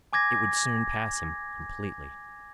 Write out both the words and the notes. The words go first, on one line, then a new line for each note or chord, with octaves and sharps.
It would soon pass him completely.
G#5 D6 G#6 A#6